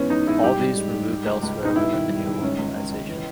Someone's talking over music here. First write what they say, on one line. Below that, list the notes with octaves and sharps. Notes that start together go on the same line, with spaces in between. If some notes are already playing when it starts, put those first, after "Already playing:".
All these were moved elsewhere within the new organisation.
Already playing: E2 G#2 E3 B3 C#4
E3 D#4
G#2 E4
G3 G4
G3
G#2
G#2
G3
C#2
C#2
B2 D#4
G2 E4
D#3
G3
D#3
C#2 C#4
C#2
C#2
C#2
E3